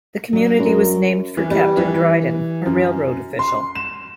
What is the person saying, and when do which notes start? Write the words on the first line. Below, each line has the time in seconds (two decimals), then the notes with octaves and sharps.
The community was named for Captain Dryden, a railroad official.
0.33 F#3 D4
0.60 F#2 A#4
1.37 E3
1.51 G3
1.77 E3
2.66 F#2
3.39 C6
3.75 E7